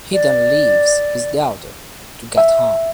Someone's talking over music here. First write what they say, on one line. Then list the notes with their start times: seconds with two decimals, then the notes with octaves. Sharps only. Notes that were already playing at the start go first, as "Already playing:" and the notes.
He then leaves his daughter to Gautham.
0.13 D5
2.38 E5